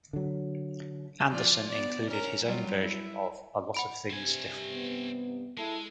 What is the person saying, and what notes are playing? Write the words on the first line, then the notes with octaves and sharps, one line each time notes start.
Anderson included his own version of "A Lot of Things Different".
D3 F#3
F3 F4 D5
B3 D5
C#4 A#4
F#3 G3 F4
E4
F#5 B5 D7
G2 C3 C4 G#5
B3
G#3 E4 A4